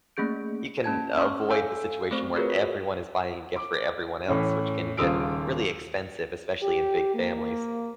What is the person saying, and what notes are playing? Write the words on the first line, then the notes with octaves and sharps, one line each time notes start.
you can avoid the situation where everyone is buying a gift for everyone else, which can get really expensive, especially in big families.
A3 A#3 C#4 G#4 G6 D7
A#3 C#4 A5 G#6
C#4 C6 C#6 F6
A4 F5 G#5 E6 G6
A3 C4 C5 C#6
F4 F#4 G#4 A#4 B4 C#5
D6
A2 E3 C#4
D#1 C#3 F4 D#6 E6 D7
G4
A#3